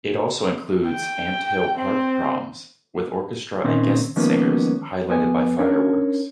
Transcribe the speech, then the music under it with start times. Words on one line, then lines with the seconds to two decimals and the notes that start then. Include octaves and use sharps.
It also includes "Ampthill Park Proms", with orchestra and guest singers, highlighted by fireworks.
0.89 G5
1.78 C4
3.64 A#2 D#3 C4 C#4 D#4
4.16 D#3 F3 G#3 A#3 B3 C#4
5.08 F2 B3 G4 G#5
5.59 C#4 D4 A#4 C#5